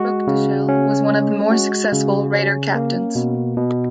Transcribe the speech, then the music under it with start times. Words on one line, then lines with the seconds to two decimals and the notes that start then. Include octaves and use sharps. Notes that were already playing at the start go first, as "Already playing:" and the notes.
Ruckteschell was one of the more successful raider captains.
Already playing: G#3 F#4
0.27 C#3
0.69 C#4
1.10 G#3
1.51 F#4
1.92 C#3
2.34 C#4
2.75 A#3
3.15 B2
3.57 B2